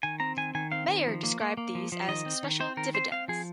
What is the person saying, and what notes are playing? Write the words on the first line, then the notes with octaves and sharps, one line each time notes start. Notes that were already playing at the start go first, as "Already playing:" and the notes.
Meyer described these as "special dividends".
D#3 G#5
C4 A#5
D#3 G#5
D#3 G#5
C4 F5
D#3
F3
A#3
A#3
A#3
F3
F3
D#3 D#5
C4
D#3
C4 C5
D#3 A#4
C4 C5
C4 F5
F3 G#4